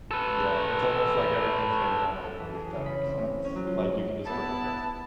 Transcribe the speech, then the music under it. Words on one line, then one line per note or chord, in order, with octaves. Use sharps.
Mm yeah, it's almost like everything's been done already, if that makes sense, like, you can just predict it.
A4 B4
A4
E3
G#4
C#3
B5
C4
A2
C#4
F#3
F4
F#3
B3 E4 A5